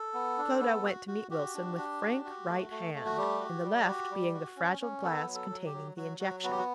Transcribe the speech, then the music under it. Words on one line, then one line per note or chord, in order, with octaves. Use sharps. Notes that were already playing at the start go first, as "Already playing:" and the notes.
Clodagh went to meet Wilson with frank right hand, in the left being the fragile glass containing the injection.
Already playing: A4
B3
D4
B3
F#4
F#4
F#4 G4
D4
D4
F#4
F#4
A3
A3
A3
F#4
G3 G4
F#4
G3
F#4
G3
F#4
C#4
C#4
B3 A4
F#3
A4
F#3
G4
F#3
F#3 F#4
F#3 F#4
B3 F#4
G4
F#4